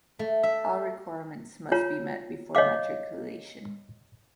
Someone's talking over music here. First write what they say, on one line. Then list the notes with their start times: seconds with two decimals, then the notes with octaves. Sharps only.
All requirements must be met before matriculation.
0.19 A3
0.43 E5
1.72 F4 C#5 A#5
2.55 C#5 D#5 F5 D6